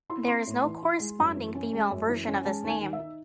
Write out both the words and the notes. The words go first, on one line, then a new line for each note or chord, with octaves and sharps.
There is no corresponding female version of this name.
E4 C6
C4 C6
A2
E3
E4
G#3
F#2
E3
C#4
G#3
F#2
E3
C#4
G#3 A5
D#2
G#5
D#3
E5
D#4